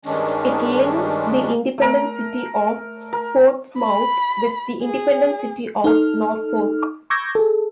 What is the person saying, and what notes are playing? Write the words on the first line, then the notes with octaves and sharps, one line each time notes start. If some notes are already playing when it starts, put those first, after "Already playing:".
It links the independent City of Portsmouth with the independent City of Norfolk.
G2 D#3 G#3 C#4 D4
A3 A#4
A#4
B5
G#4
D#4 A4 F6
C#6 D6 E6 G6 G#6 A#6
G#4 A4